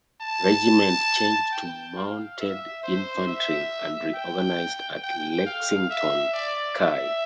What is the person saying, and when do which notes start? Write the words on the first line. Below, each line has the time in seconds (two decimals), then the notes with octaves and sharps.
Regiment changed to mounted infantry and reorganized at Lexington, Ky.
0.21 A5
1.52 G5
1.96 F5
2.40 E5
2.83 C5
3.27 E5
4.15 G5
5.02 G5
5.46 F5
5.89 E5
6.34 D5
6.77 E5